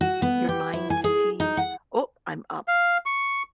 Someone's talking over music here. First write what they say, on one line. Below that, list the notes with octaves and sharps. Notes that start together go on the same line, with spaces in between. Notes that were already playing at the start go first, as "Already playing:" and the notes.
your mind sees, "Oh, I'm up."
F#4
B3
G4
E4
G#5
G#4
D#4
F#5
F5
C#6